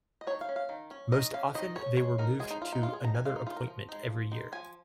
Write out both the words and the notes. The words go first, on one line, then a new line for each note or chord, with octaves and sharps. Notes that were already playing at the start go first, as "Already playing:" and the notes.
Most often they were moved to another appointment every year.
D#5
D#3 C#5
F5
C#4
F5
D#3
C#4
D#3 D#5
C#4 F5
D#3 D#5
C#4 C#5
G#3 C#5
D#4 A#4
G#3 G#4
D#4
D#4 F4
D#4
G#3 F4
G#4
D#4 A#5
G#5
G#3 F5
D#4
D#4 F4
A#4
F3
G#3 D#4
F3
G#3 D#4
F3 G#5